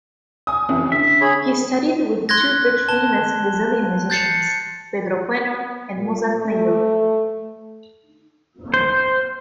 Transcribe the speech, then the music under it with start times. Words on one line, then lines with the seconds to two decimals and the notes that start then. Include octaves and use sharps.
He studied with two big famous Brazilian musicians: Pedro Bueno and Mozart Mello.
0.47 G#5 D#6
0.69 A1 F2 E3
0.92 D3 E5
1.21 G#4 C#5 B5
2.29 C6 F#6 G#6 A#6
2.89 A5 G7
4.10 G6 A6 C7 C#7
5.97 A#2
6.39 A3
8.74 C5